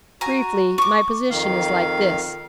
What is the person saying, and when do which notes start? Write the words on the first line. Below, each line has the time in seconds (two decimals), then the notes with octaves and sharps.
Briefly, my position is like this.
0.21 F#4 G#5 A#5
0.78 C#6 D6
1.30 F2 D#3 F5